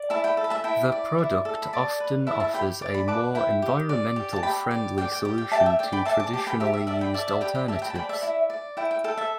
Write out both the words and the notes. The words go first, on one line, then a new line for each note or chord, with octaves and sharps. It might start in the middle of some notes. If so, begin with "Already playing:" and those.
The product often offers a more environmental friendly solution to traditionally used alternatives.
Already playing: D5
E4 E5 A5
G5 B5
A4
B5
E5 A5
E4 G5 B5
D5
E4
A4
B5
D5 A5 D6
B4
E4 E5 A5
E5 A5
G4 G5 B5
D5 D6
B5
B4 A5 D6
E4 G5 B5
G4
D5
G4
A5
G4 G5 B5
D5
D5 G5
G5
G4
G5
G4 E5 A5
G5
E5
D5 G5
G5 B5
D5 E5 A5
A5 D6
G4 A5 D6
G5 B5
G4 E5 A5
E5
D5 E5 A5
G5 B5
D5 E5 A5
E5 A5
G4 G5 B5
G5 B5
G4 E5 A5
G5 B5
A5
D5 G5 B5
E5 A5
E4 E5
D5
E4 G5
G5
A4 G5
E5 A5